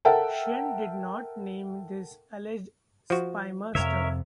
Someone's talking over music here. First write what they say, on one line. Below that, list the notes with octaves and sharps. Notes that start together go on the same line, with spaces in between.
Chen did not name this alleged spymaster.
A4 A#4 E5 F#5 G5 A5
F3 F#4
F2 C3 A#4 C#5 E5